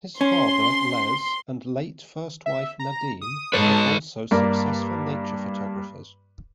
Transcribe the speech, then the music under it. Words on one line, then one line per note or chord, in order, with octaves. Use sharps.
His father, Les, and late first wife, Nadine, were also successful nature photographers.
C#4 C6
E5
A#5
D#6
G#2 B4 C#5 A5
G2 A#3 D5